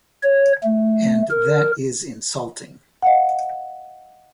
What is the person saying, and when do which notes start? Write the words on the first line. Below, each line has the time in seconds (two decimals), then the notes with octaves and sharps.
And that is insulting.
0.23 C#5
0.64 A3
1.31 A#4
3.02 D#5 F5 F#5